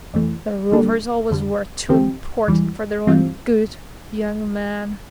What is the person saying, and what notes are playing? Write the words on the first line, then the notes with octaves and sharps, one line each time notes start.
"The Rovers always were too important for their own good, young man."
F2 E3 A3
D3 G3 A#3 D4 A4
F2 D3 G3
E2 D3 F3 C4 G4
E2 E3 G3
G2 E3 G3 C4 F4